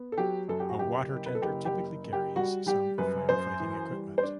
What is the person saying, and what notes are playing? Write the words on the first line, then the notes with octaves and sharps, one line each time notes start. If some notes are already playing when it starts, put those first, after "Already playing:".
A water tender typically carries some fire fighting equipment.
Already playing: B3
A4
F#3 G4
F#2 A4
G4
F#4
F#1 G4
F#1
B4
A4
F#1 G4
G4
F#1
F#1
G4
G3 F#4
G3 G4
F#2 B4
F#2 C5
E3
G3
C5
D4 D5